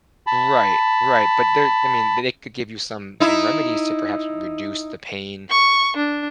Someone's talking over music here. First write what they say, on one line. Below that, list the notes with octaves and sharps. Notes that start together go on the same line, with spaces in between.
Right, right, but there I mean, th they could give you some some remedies to perhaps reduce the pain,
A5 B5
D#4 E4
C#6
D4